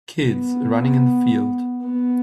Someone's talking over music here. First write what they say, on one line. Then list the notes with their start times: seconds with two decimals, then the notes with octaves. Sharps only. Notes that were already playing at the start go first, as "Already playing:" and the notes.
Kids running in the field.
0.24 B3
1.82 B3